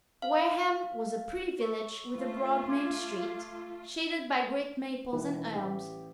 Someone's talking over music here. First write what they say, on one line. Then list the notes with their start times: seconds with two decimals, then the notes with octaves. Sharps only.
Wareham was a pretty village with a broad main street shaded by great maples and elms.
0.22 F5
1.58 C#5 C#6 E6
2.16 A3 F4
2.67 C6 D6 G#6
5.12 E1 D#3 E3 B4
5.55 A1 G4